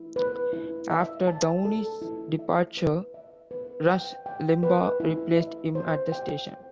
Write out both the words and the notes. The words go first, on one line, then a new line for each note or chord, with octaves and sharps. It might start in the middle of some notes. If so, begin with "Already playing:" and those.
After Downey's departure, Rush Limbaugh replaced him at the station.
Already playing: E4
B4
E4
E5
A5
A4
E4
E5
B4
E5
B4
G5
G5
B4
E4
E5
C5
G5
C5